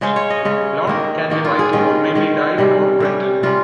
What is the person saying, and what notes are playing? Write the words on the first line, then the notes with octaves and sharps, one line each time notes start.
Lawn can be white, or may be dyed or printed.
C#3 G#3 C#4 C5
C#5
D#5
C#3 G#3 C#4
D#3 A#3 D#4
D#3 A#3 D#4
F4
G#4
D#3 G#3 C#4 F4
D#3 G#3 C#4
C3 G3 C#4
C3 G3 C#4
C3 G3 C#4 F4